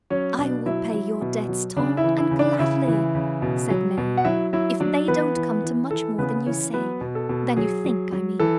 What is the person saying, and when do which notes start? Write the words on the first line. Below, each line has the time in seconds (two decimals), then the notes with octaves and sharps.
"I will pay your debts, Tom, and gladly," said Mary, "if they don't come to much more than you say--than you think, I mean."
0.10 F#3 C#4 C#5
0.38 B2 D4 D5
0.66 F#3 E4 E5
0.94 F#3
1.21 B2
1.48 F#3
1.76 C#3 D4 D5
1.97 E4 E5
2.04 E3
2.18 E4 E5
2.31 C#3
2.39 D4 D5
2.59 C#3 E4 E5
2.87 E3
3.15 C#3
3.42 B2
3.70 F#3
3.97 B2
4.17 F#5
4.25 F#3 E4 E5
4.53 F#3 E4 E5
4.80 F#3 D4 D5
5.08 E3 B3 B4
5.36 E3
5.64 E3
5.91 E3 A4
6.18 C#3 B3 B4
6.46 E3 C#4 C#5
6.74 F#3 B3 B4
7.01 B2
7.15 A4
7.29 B2
7.57 F#3 G#4
7.85 F#3
8.12 F#3
8.40 E3 A4